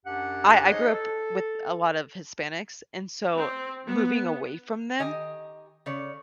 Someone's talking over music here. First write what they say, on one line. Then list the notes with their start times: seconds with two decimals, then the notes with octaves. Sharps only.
I I grew up with a lot of Hispanics, and so moving away from them,
0.05 F#2 D4 G4 F#5
0.70 D#4 G#4 C5 C#5 D#5
0.92 A4
3.37 C4
3.88 B3
5.00 D#3 G4 D#5 G#5
5.86 C#3 C#5 D5